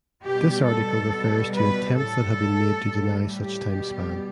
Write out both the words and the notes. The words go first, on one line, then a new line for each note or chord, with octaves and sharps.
This article refers to attempts that have been made to deny such timespan.
B2 G3 G4
A4
B2 G3
B4
A2 G3 A4
A2 G3
G4
B2 G3